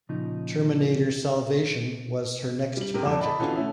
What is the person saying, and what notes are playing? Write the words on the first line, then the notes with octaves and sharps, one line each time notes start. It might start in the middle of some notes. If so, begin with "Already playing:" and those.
"Terminator Salvation" was her next project.
A#2 C#3 F3 D#4
G3 F#7
G#2 C3 G4 A#4
F2 G#4 D6 E7
D#5 A5 B5
B2 D3 E3 C#4 F4 A4
A3 C#4 E4